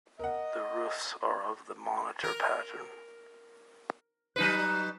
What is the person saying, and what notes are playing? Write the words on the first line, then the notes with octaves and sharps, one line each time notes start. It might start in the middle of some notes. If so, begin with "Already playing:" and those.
The roofs are of the monitor pattern.
A#4 D#5 F#5
A#4
F#3 D#4 B4